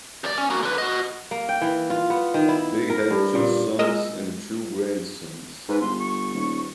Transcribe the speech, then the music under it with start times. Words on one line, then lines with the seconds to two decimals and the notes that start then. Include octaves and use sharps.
They had two sons and two grandsons.
0.24 C#2 D5
0.38 C#4
0.50 A#3 F#4
0.63 D3 B4
0.78 F#4 D#5
1.31 A#3
1.49 G5
1.61 E3
1.90 F4
2.10 B3
2.34 D#3
2.48 E4
2.90 A#4
3.11 G2
3.35 A#2
3.79 G#3 A#4 D#5 E6
5.69 G#2 B4
5.81 G1 C6
5.99 C#6
6.34 D#1